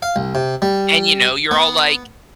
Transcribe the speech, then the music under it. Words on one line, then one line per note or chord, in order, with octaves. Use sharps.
and, you know, you're all, like
F5
C2
C3
G3
B3